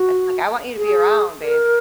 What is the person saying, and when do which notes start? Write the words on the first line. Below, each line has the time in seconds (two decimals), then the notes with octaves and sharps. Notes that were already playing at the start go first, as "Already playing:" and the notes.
Uh like, "I want you to be around, babe."
Already playing: F#4
0.77 G#4
1.42 A#4